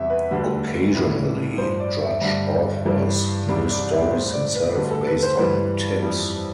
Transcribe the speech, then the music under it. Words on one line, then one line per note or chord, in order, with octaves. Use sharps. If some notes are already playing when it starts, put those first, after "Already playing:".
Occasionally, Drudge authors new stories himself, based on tips.
Already playing: E2 C3 G3 E5
B4
D2 D3 G3
A2 E3 G3
G2 F3 C5
D5
E5
G2 D3 G3
G2 E3 G3
C2 C3 G3 D5
D5
E5
A2 G3 C5
D5
B4
D2 D3 G3 B4
A4
B4
C5
G2 E3 G3 B4
F2 E3 G3